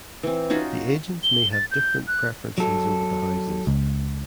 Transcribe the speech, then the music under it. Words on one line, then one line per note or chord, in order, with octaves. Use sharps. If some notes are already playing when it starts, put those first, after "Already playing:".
The agents may have different preferences over the houses.
E3 C4
C#4 D#4 F4 F#4
G7
A6
G6
F#6
F#3 A4
C#2